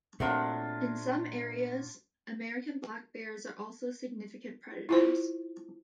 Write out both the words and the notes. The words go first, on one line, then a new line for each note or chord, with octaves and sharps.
In some areas, American black bears are also significant predators.
A#2 F#3 A3 C4 D4 F4 A#4
E4 F4 C5